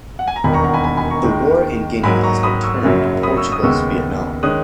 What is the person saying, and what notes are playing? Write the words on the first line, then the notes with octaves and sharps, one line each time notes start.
The war in Guinea has been termed "Portugal's Vietnam".
F#5
G#5
A#5
E1 D#2 D#3 G#5 B5
A#5 C#6
F#5 A#5
G#5 B5
G#5 B5
G#5 B5
A#5 C#6
D#2 D#3 G#3
G#2 F#3 A#3 G#5 B5
A#5 C#6
B5 D#6
C#6 E6
F#1 F#2 C#3 F#3
B5 D#6
C#6 E6
D#6
D#2 C#3 G#3 B3 C#6 E6
D#3 G#3 C#4 D#6 F#6